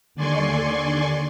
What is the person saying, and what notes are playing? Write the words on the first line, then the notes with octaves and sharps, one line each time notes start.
I believe.
D#2 D3 D5 G#5 C6 C#6